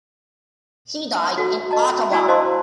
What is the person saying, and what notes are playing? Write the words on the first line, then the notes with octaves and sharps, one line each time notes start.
He died in Ottawa.
F#4 A4
D#5 A5 A#5
E4 F#4 D5 G#5 A#5 E6
C5 D#5 F5 A5 A#5 C6